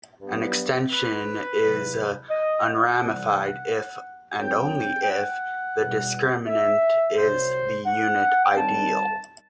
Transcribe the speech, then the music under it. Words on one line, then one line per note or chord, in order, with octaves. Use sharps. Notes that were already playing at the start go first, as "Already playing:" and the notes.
An extension is unramified if, and only if, the discriminant is the unit ideal.
G2 F#3 B3
B4
E2 C3 F#3
D#5
F#5
C2 C3 E3 G3
F#2 F#3 C4 G5
G5
F#5
E2 B2 G3
E5
C2 C3 F#3 C5
F#5
G5
D#2 D#3 G3 C4 A5